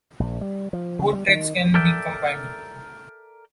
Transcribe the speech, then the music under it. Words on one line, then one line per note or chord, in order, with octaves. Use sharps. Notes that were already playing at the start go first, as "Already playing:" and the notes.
Both treks can be combined.
A#1
G3
F3
C#3
G3
D#3
A4 A#4 D5 E5 G5